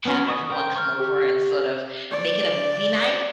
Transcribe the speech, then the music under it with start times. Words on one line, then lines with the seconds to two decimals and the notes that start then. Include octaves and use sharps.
have everyone come over and sort of, make it a movie night
0.05 B3 C#4 F#4
0.27 B5 C#6 D#6
0.50 A#4 C5 G5
0.76 C#6 F6
1.00 G4
2.11 D5